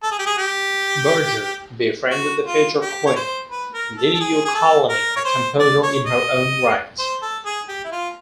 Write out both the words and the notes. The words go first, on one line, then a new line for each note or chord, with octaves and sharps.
Berger befriended the future Queen Liliuokalani, a composer in her own right.
A4
G#4
G4
G#4
G4
F#4
F4
G4
C#5
C5
B4
A#4
A4
A4
G#4
G#4
A4
A#4
C#5
C5
D5
C#5
D#5
C5
A4
G#4
G4
E4
F4